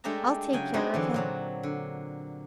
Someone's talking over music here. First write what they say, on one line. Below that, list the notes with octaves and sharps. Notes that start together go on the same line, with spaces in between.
'I'll take care of him.
G#3 A3 D4 G4 E5 A#5
C#3 F#3 G5 G#5
G#3 B3 C4 D4 D#4 F#4
D3 E3 F#3
A#2 F#3 F#4
D3